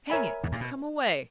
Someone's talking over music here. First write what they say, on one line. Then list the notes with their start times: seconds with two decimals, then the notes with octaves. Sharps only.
Hang it, come away.
0.10 A#4 C#5 E5 G#5 B5
0.43 E2 G#2
0.52 G2 A#2
0.61 B2